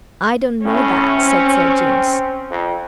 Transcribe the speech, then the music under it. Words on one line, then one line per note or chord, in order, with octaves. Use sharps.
"I don't know that," said Sir James.
A2 C#4
C4
F2